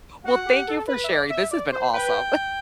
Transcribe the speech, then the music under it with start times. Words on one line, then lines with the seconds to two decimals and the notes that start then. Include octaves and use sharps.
Well, thank you for sharing, this has been awesome.
0.24 F#4 F#5
0.46 G4
0.67 A4
0.87 B4
1.04 E5
1.10 D5
1.30 E5
1.51 D5
1.72 C5
1.93 B4 G5